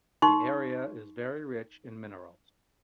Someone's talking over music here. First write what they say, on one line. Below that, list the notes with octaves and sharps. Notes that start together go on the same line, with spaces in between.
The area is very rich in minerals.
D#4 C6 C#6